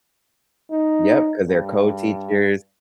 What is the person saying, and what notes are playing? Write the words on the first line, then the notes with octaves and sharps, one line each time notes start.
Yep, 'cause they're co-teachers
D#4
G2